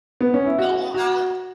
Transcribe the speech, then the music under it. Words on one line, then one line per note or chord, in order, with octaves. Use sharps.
Go on out
B3
C#4
E4
F#4
F#4